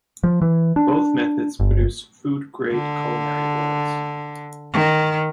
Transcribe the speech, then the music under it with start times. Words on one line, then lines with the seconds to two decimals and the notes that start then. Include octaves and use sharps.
Both methods produce food grade culinary oils.
0.24 F3
0.42 E3
0.76 D4
1.60 G1
2.72 D3
4.73 D#3